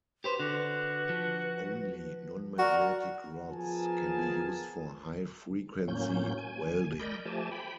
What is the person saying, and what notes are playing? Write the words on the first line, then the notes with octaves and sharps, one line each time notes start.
Only non-magnetic rods can be used for high-frequency welding.
G4 B4 C5
D3 F#4 B4
F3
F#4 A#4 D5
F3 B3 G#4 A#4 G#5 A5
A2 F#3 A#3 C#4 G6
G#5
A#4 D5 D#5 B5 G6
F3 A3 G4 G#5 A5
G5 B5